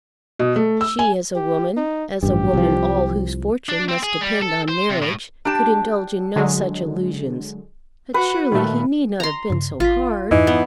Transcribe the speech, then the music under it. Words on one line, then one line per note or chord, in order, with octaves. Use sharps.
She as a woman,--as a woman all whose fortune must depend on marriage,--could indulge in no such allusions; but surely he need not have been so hard!
B2
A3
E6
G#5
G4
D#4
A1 G2 G4
C2 F3
D4
C4
G#4
G3
A4
C5
C3
A2
D4 G4 A5
D3 F#3 G#3
F#4 B4
A#2 D#3 A3
A#5 C6
G2 C#3
G#1 F4 B6
F2 G#2 E3 D#4
B3